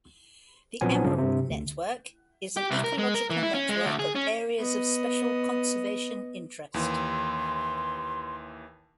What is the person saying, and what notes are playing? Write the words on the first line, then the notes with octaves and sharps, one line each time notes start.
The Emerald Network is an ecological network of Areas of Special Conservation Interest.
A#1 F3 F#3 B3 C4 G#5
G2 C#3 F3 C#4
G2 C3
D2
G4
C2
A#4
G#3
A#4
E3
E4
C#4
G#3
D2
G#4
C#4
B3 D#5
D#2 E3 C6